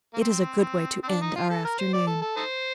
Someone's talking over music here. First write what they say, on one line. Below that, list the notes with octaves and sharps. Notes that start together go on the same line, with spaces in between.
"It is a good way to end our afternoon."
A#3
C4
C4
D4
D#4
F4
A4
A#4
C5
D5
A4
A4
D#4 A4 C5